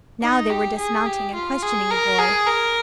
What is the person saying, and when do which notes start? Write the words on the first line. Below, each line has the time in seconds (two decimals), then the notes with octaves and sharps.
Now they were dismounting and questioning the boy.
0.22 D#4
0.50 G4
0.78 G#4
1.06 G4
1.34 F4
1.63 G#4
1.91 A#4
2.19 G#4
2.47 A#4